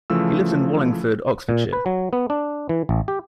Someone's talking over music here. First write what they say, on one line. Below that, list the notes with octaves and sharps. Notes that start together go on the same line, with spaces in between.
He lives in Wallingford, Oxfordshire.
C#3 E3 F3 A3 E6
A#2
B4
F#3
B3
D4
E3
A1
G4